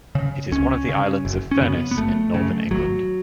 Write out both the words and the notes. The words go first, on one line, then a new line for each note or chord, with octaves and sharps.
It is one of the Islands of Furness in northern England.
C#3
C#2 C#4
C#3
F#1
C#4
F#2 C#3 B3
B3
F#1 A3
F#2 C#3
G#1 F#3